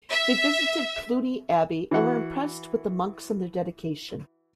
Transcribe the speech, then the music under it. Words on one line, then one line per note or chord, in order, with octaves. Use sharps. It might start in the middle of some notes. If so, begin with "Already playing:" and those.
They visited Cluny Abbey and were impressed with the monks and their dedication.
E5
E3 F#4 F#5